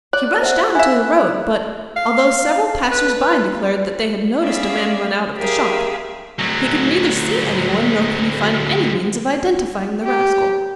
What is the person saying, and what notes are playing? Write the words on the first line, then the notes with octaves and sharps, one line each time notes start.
He rushed out into the road, but, although several passers-by declared that they had noticed a man run out of the shop, he could neither see anyone nor could he find any means of identifying the rascal.
C#5 D5 F#6
C5 E5 F#5
E4 E5 F5 G#5
F5
B4
B3 C#4 G#4 D5 E5 F5
G4 G#4 A#4 E5 F5
D2 F#3
G4